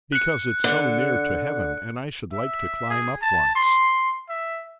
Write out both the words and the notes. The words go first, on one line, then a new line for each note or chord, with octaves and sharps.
"Because it's so near to heaven, and I should like to climb up once."
F#6 C#7
D3
E5
G#4
A5
C6
E5